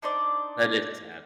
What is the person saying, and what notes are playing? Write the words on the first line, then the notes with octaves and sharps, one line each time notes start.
That is sad.
D4 D#4 C5 D5